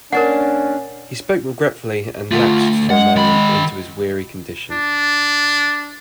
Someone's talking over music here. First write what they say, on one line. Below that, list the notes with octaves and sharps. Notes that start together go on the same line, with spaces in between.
He spoke regretfully and lapsed for a moment into his weary condition.
A#3 C#4 D4 A#4 F#5
D3 A3 F4
G#3 F#5
D#3 B5
D4